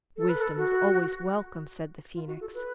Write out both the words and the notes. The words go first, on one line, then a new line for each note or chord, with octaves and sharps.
'Wisdom is always welcome,' said the Phoenix.
A4
B4
A4
F#4
F4
F#4
A4
B4